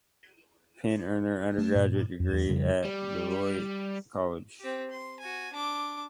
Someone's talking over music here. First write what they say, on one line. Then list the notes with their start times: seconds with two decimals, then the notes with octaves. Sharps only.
Penn earned their undergraduate degree at Beloit College.
1.58 A3
1.75 G2 A#2
2.20 F2
2.33 E2
2.49 F2 C#3 F3 G3
2.85 G3
4.60 C4 G4
4.90 C6
5.20 F#4 G#5
5.53 D4 D6